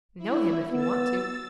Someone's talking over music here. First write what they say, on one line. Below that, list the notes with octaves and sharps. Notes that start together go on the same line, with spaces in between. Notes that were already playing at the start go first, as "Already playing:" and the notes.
"Know him, if you want to."
E4
B3 E6 A6